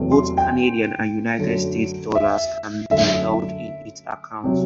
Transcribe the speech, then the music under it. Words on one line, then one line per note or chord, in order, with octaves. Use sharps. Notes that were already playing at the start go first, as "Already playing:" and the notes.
Both Canadian and United States dollars can be held in its accounts.
Already playing: E2 C3 F#3 A3
C6
G5
F#2 D3 F#3 A3
E5
F#2 D3 A3 E5
C3 F#3